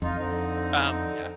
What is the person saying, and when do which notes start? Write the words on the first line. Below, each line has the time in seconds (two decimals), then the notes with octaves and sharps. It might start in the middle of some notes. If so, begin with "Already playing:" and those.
Um, yeah.
0.02 F2 D#4 F4
0.19 D3 C4 D#4